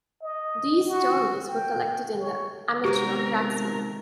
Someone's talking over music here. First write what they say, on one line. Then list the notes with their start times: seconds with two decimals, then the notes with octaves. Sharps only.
These stories were collected in The Amateur Cracksman.
0.23 D#5
0.88 F#4
1.48 G5
2.20 C#5
2.85 C3 D#3 G#3 B3 G4 A#4